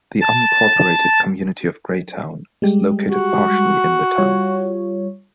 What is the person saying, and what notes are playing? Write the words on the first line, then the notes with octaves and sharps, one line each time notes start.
The unincorporated community of Graytown is located partially in the town.
A5
G3 G#3 G4
F#4
G3 F4 C#5